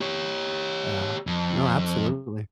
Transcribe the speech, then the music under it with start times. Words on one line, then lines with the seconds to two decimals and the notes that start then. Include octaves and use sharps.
Yeah. No, absolutely.
0.01 G4 C#5
1.27 F2